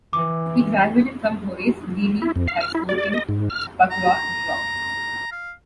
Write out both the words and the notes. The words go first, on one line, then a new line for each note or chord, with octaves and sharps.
He graduated from Horace Greeley High School in Chappaqua, New York.
E3 D6
E4
F2
F5
F6
E4
D5
D#5
G#2
F6
A#5
F5